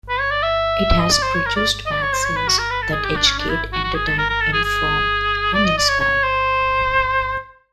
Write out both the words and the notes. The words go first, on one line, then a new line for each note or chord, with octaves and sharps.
It has produced magazines that educate, entertain, inform and inspire.
B4
C#5
D5
E5
D#5
D5
C5
C#5
A#4
D5
D#5
D5
C#5
C5
C#5
B4
F#4
A#4
B4
A4
G#4
G4
D4
C#4
D4
E4
F#4
F#4
G#4
A4
A#4
A#4
A4
G#4
G#4
D5
D#5
D5
C#5
C#5
C5